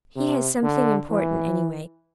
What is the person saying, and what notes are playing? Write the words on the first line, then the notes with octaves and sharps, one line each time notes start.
He has something important, anyway.
C3
D3
E3